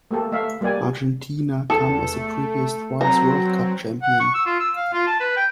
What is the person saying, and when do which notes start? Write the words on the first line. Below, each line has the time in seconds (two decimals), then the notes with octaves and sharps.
Argentina come as a previous twice World Cup champion.
0.11 A3 A#3 G4 A4
0.32 A3 E5 F5
0.61 G3 A#3 G4 D5 G#5
1.70 E2 A4
2.13 A3
3.01 F#3 C4 A#5
4.03 F#5
4.20 C#6
4.35 E6
4.46 F4
4.60 E6
4.76 F5
4.93 F4
5.07 A5
5.20 B4
5.37 G5